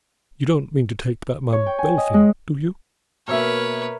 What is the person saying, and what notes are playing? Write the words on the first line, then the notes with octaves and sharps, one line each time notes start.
"You don't mean to take that man Bellfield, do you?"
C#5
G5
G#5
D#5
G#3
B2 A#3 A#4 B4 C#5 E5